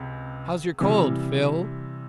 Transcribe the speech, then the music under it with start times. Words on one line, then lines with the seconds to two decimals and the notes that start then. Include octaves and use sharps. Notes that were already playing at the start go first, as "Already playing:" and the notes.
"How's your cold, Phil?"
Already playing: C#2 C3
0.80 C3 E3 G3